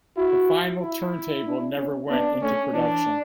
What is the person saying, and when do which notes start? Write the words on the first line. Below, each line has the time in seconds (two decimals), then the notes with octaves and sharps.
The Finial turntable never went into production.
0.17 E4 F#4
0.81 E4
1.46 D4
1.77 C#4
2.09 B3 D4
2.41 A3 C#4
2.73 E3 D4